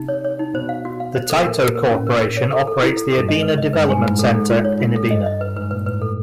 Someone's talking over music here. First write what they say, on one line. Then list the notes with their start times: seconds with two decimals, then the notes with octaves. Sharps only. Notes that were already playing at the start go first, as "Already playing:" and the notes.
The Taito Corporation operates the Ebina Development Center in Ebina.
Already playing: C3 D#4
0.08 C#5
0.24 C#5
0.39 D#4
0.54 B2 C5
0.69 F5
0.85 F#4
1.00 F5
1.15 C5
1.30 A4
1.45 A#2 A#4
1.60 A#4
1.68 A#2
1.76 A#4
1.91 A2 C#4
2.07 A#4
2.21 A#4
2.37 C#5
2.52 A4
2.67 A4
2.82 E4
2.97 A4
3.13 A4
3.18 G2
3.28 G#2 D#5
3.43 B4
3.58 D#5
3.73 G2 B4
3.85 G#2
3.89 G#5
3.97 G#2
4.04 A2 B4
4.19 G#2 A4
4.35 A4
4.50 F4
4.65 C#5
4.80 F4
4.96 A4
5.10 G2 D#5
5.26 D#5
5.41 B4
5.56 G#2 B4
5.71 A#2 B4
5.86 A2 B4
6.02 A4